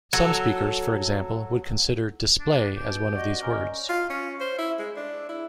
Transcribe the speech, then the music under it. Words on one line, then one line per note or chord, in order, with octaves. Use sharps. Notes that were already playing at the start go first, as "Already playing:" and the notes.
Some speakers, for example, would consider "display" as one of these words.
F#3 A4
D4
B2 G4
F#4 D5 D#5
C#4 A#4
F4
C#4
C5
E4
G#3
D4
E4